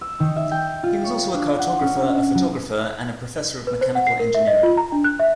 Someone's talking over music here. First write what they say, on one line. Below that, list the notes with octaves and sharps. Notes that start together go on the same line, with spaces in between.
He was also a cartographer, a photographer and a professor of mechanical engineering.
E6
D#3
E5
G5
F4
C#5
D4
F#5
C#4
F#3
B4
C5
F#5
C7
A#4
E5
D#5
F4
A#5
D4
F#6
E5